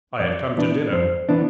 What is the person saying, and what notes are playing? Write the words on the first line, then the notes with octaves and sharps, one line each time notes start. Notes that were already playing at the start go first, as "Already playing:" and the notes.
I have come to dinner.
F2 D5
E3 B3 D4
F2 C5
E3 B3 D4